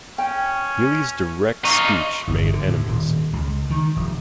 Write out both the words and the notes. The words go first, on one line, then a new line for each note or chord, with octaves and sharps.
Healey's direct speech made enemies.
C#4 G5
A#3 D#4 F4 C#6
G1
D3
A2
D#1
C#2
D#3
F1